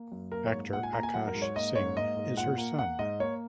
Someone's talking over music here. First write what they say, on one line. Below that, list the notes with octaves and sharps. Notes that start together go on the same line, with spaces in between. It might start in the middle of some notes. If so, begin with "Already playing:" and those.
Actor Akash Singh is her son.
Already playing: A#3
F#2
A#3 A#4
C#5
G#2
A#2 F#5
G#5
A#3 A#5
G#5
F#3 F#5
A#4
G#2
C#5
A#3 D#5
G#2 C#5
A#3 D#5
G#2
A#2 F#5
A#3
A#3 F#5
G#2 D#5
A#3 C#5